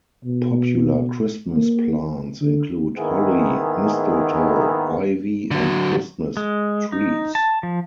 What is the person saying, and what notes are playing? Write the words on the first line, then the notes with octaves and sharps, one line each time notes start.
Popular Christmas plants include holly, mistletoe, ivy and Christmas trees.
B2
A#3
D3
G#2 D#3 A#3 B3 E4 G#4
D3 F#3
G#3
D#4
A5
F3